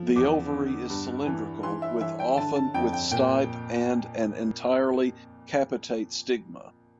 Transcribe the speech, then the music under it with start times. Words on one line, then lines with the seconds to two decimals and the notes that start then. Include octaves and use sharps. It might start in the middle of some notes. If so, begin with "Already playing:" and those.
The ovary is cylindrical with often with stipe and an entirely capitate stigma.
Already playing: F3
0.16 E2 D6
0.53 D3
0.90 G2
1.26 E3
1.63 E3 C6
1.82 E5
2.00 E3 E5
2.19 G5
2.37 D3 A5
2.56 A5
2.74 F2 G5
2.93 G5
3.11 A#2 G5